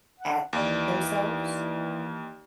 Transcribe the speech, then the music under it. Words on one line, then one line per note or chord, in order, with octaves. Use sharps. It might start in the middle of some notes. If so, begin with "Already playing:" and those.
at themselves,
F#5
D#2 E3 D5